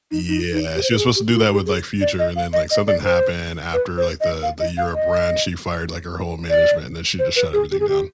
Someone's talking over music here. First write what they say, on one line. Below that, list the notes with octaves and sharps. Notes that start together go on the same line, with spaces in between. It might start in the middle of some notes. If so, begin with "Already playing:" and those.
Yeah she was supposed to do that with, like, Future, and then, like, something happened after, like, the the Europe run, she fired, like, her whole management, and then she just shut everything down.
D#4
D#4
D#4
G4
C5
B4
G#4
G4
D#4
F4
G4
G#4
D5
D#5
F5
D#5
D#5
D5
C5
B4
C5
D#5
F5
D#5
F5
D#5
D5
C5
B4
G#4
G4
G#4
G4